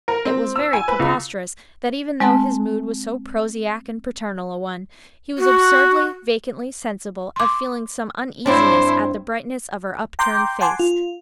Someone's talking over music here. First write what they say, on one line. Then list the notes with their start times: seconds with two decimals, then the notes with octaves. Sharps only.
It was very preposterous, that even though his mood was so prosaic and paternal a one, he was absurdly, vacantly sensible of feeling some uneasiness at the brightness of her upturned face.
0.08 A#4
0.25 C4
0.56 E6
0.73 G#5
0.88 B4
0.99 C#2
2.20 G#3 C4 A5
5.38 F#4
7.36 C6 D6
8.46 G2 C4 D4 E4 C5 C#5
10.19 G5 A#5 C6 D6 G6
10.61 F#5 G#5 A5 C6 D6
10.79 F4